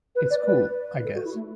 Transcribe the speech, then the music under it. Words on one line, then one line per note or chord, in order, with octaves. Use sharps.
It's cool-I guess.
B4
D5
B4
A4
F#4
E4
A3